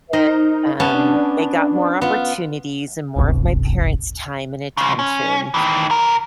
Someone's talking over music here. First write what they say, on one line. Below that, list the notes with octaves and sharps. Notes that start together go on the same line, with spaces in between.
that, um, they got more opportunities and more of my parents' time and attention,
D#4 A#4 C5 D#5
B3 C#4 A5
D4
B3 F4
D1 G1 C2
C#3 F3
C#4
D#3 E3
B1 A#4